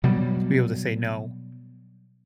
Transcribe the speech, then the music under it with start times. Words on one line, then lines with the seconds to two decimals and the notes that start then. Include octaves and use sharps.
to be able to say no,
0.04 B2 F#3 G3